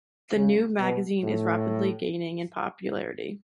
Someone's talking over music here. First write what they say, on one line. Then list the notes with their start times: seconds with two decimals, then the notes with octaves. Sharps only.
The new magazine is rapidly gaining in popularity.
0.35 C#3
0.79 B2
1.23 A2